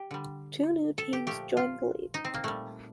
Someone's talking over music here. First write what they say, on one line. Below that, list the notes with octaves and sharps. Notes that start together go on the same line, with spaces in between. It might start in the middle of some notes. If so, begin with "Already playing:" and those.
Two new teams joined the league.
Already playing: G4
D3 G3
A4
G4
A#2 F3 A3 G4
F4
D#4
C4
A#3
A#2 G3 A3